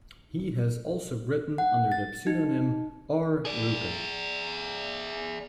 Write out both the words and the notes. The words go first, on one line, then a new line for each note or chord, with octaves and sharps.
He has also written under the pseudonym R. Rupen.
F#5
A6
D#4
G#4 D5